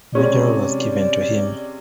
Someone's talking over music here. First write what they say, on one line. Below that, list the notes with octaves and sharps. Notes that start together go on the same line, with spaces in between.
Major role was given to him.
C3 G#3 C#4 D5